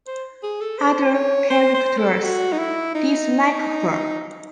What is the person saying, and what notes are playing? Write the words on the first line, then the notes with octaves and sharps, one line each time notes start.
Other characters dislike her.
C5
G#4
A4
C5
C#5
C5
C5
A4
F#4
D#4
E4
D#4